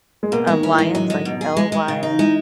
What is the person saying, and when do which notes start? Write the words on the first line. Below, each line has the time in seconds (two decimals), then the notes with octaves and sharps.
um, Lyons, like L-Y
0.23 G#3
0.32 B2 A#3
0.47 G#3
0.53 D#3
0.63 C#4
0.73 E3
0.78 G#3
0.94 F#3 G#3
1.10 G#3
1.25 B2
1.41 G#4
1.57 G#3
1.72 G#3
1.88 C#3
2.03 D#4
2.18 E3 G#3